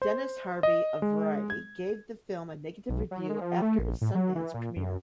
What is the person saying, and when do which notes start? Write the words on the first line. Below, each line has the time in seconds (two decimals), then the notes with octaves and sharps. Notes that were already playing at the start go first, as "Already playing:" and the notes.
Dennis Harvey of "Variety" gave the film a negative review after its Sundance premiere.
0.02 C5
0.63 D#5
1.02 G#3
1.50 G#6
2.89 B1
3.11 F#3
3.29 G#3
3.41 F3
3.62 A3
3.79 A#1
4.01 A2
4.15 F#3
4.35 E3
4.54 A#2
4.76 F#2